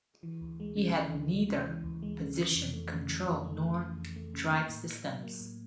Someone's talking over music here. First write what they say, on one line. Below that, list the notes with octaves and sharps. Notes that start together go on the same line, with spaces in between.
It had neither position control nor drive systems.
E3
D2
G#3
C#3
E3
D2
G#3
C#3
E3
D2
G#3
C#3
E3
F2
A3
C#3
E3
F2
A3
C#3
E3
F2
A3
C#3
A#3
A2
A2
F#3
A#3
A2